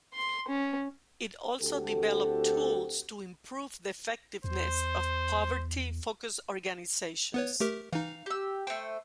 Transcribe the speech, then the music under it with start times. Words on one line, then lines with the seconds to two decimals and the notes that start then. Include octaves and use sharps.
It also develop tools to improve the effectiveness of poverty-focused organizations.
0.14 C6
0.48 C#4
1.61 D2 C4 F#4 G4 A4
4.44 E2 C5
7.34 B3 B4 C#5
7.60 A3 G4 A#4
7.93 E3 D#4 F5
8.26 G4 E6
8.67 A3 C5 G5